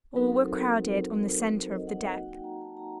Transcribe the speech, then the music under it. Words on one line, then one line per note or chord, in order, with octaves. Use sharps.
All were crowded on the centre of the deck.
F#3 C4 D#4 F#4 A#4
A4
C5
A#4
C5
D#5
F#5
D#5
A#3 D#4 F#4 F#5
G5
A#5
A5
A#5